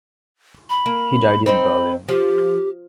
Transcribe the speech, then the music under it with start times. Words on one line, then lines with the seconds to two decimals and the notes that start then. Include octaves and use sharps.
He died in Berlin.
0.70 B5
0.86 A#3
1.46 C4 D#4 C5 B5
2.09 F3 G4